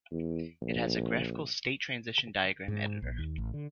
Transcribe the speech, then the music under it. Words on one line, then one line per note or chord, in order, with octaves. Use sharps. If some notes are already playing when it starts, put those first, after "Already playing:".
It has a graphical state-transition diagram editor.
E2
A#1
G#2
A#1
D#2
A1
D3